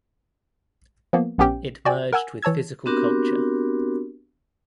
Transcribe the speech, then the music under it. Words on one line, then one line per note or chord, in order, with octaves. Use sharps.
It merged with "Physical Culture".
F3 A#3 B3
A#1 B3 C#4 G4 G5
F#4 D5 G5 G#5
A#4 F#5 G#5 E6
E3 C#5 A5 E6 G#6
B3 C4 D4 F#4 G4 A#4